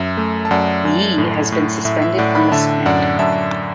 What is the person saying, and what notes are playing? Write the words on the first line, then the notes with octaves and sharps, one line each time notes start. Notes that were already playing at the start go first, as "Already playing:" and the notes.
Yee has been suspended from the senate.
Already playing: F#2 E5
A3
A5
F#2 D5 F#5
F#2
A2
A2
A2 E5
E5
A2 D5 F#5
F#5 B5
D3 E5 A5
F#2 D5 F#5
F#2 E5 A5